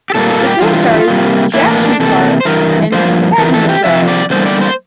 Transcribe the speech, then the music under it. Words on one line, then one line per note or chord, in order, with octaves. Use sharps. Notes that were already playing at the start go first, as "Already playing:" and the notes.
The film stars Jaishankar and Padmapriya.
G4
A#2 G3 A#3 A4
A4
F4
G4
G2 E3 G3 F4
C3 G3 A#3
A2 E3 A#3 E4
D4
D4
C3 E3 A#3 A4
C5
G2 E3 A#4
G2 F3 A#3 C5
F2 E3 A#4
A4
G4
C3 F3 C4 E5
D5
E2 D3 G3 A#3 C5
D5
C5